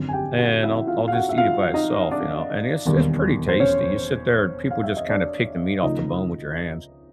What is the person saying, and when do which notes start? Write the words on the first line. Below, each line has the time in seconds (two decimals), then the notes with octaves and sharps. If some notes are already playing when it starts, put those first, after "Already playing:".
and I'll I'll just eat it by itself, you know? And it's it's pretty tasty, you sit there and people just kinda pick the meat off the bone with your hands.
Already playing: G#1 F#2 D3
0.09 G#5
0.13 G4 G5
0.38 F#4 F#5
0.63 E4 E5
0.87 F4 F5
1.08 F5
1.12 F#4 F#5
1.29 E5
1.37 F4 F5
1.74 D#4 D#5
2.11 D4 D5
2.86 E1 D#2 D#3 G3
3.49 C5
3.60 C#4 C#5
4.70 F5
4.83 E5
4.97 D#5
5.09 D4 D5
5.83 C#2 C#3 F3 A3 D#4 D#5